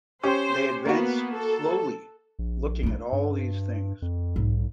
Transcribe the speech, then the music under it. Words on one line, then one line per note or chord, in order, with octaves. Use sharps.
They advance slowly, looking at all these things.
C#4 G4 C5
A#3 B3 F#4
A4
A#1
A#3 D4
G2
F2
B1 G#2